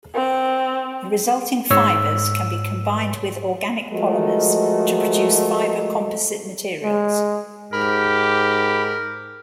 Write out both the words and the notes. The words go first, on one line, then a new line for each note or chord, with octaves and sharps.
The resulting fibers can be combined with organic polymers to produce fiber composite materials.
C4
G#2 C#5 E6
F3 G#3 A3 F#4 A#4 D#5
G#3
G#2 G4 A#4 B5